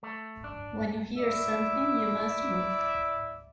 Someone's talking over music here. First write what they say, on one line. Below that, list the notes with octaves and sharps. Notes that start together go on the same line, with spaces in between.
When you hear something, you must move.
A3
D4
E4 D5 E5